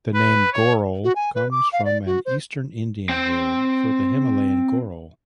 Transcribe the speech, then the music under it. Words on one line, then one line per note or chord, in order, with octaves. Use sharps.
The name "goral" comes from an eastern Indian word for the Himalayan goral.
B4
C#5
F#4
G#5
B4
D6
F5
D5
F#4
C5
C4 G5